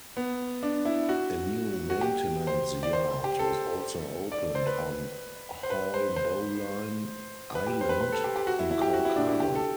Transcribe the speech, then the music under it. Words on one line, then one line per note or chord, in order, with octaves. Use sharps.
A new maintenance yard was also opened on Haulbowline Island in Cork Harbour.
B3
D4
E4
F#4
F#4
G4
C5
D5
C5
G4
A4
D5
C5
B4
C5
B4
C5
C5
B4
G4
C5
B4
B4
A4
G4
G4
F#4
E4
E4
G4
F#4
E4
D4
E4
G4
A4